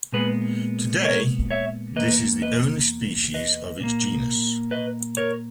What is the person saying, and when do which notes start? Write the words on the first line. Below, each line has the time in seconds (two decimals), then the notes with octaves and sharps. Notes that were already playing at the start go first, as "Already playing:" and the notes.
Today, this is the only species of its genus.
0.12 A#2 G#3 B3 G#4 B4
1.05 A#4 C#5
1.51 C#5 E5
1.96 E2 D#3 A#3 B4 D#5
2.42 B4 D#5
3.34 B4 D#5
3.80 A#2 A#3
4.71 B4 D#5
5.17 A#4 C#5